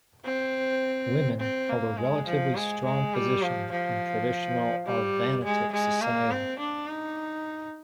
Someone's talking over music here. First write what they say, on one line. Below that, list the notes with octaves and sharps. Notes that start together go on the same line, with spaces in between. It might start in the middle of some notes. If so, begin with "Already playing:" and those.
Women held a relatively strong position in traditional Arvanitic society.
C4
C4
A#3
G#3
F3
G#3
G#3
G3
F3
F3
G3
G#3
G#3
A#3
C4
D4
D#4